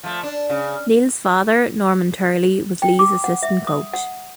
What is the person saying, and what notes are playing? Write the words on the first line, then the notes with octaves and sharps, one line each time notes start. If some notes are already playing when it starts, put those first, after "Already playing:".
Neil's father, Norman Turley, was Leigh's assistant coach.
F3 A3
D4
C#3
G5
D6
F#5
E5
D#6
F#5